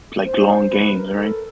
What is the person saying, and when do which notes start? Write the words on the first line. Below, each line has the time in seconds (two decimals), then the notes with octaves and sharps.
like, long games, right?
0.25 C5
0.49 C5
0.71 B4
0.95 A#4
1.18 A4